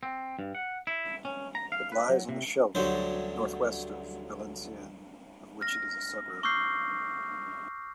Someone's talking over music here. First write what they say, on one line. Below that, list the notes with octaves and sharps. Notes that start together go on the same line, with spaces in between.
It lies on the Scheldt, northwest of Valenciennes, of which it is a suburb.
C4
G2
F#5
E4
C#4
A#5
F5
B4
F#3
C3
D2 G2 D3 F#3 C5
F6 A#6
C#6 D6 E6 F6 G6 C7